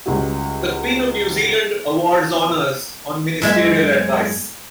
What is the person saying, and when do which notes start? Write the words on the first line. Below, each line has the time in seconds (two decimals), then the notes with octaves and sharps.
The Queen of New Zealand awards honours on ministerial advice.
0.06 C#2 C#3 G3 F#4
3.42 F#2 G#3 E5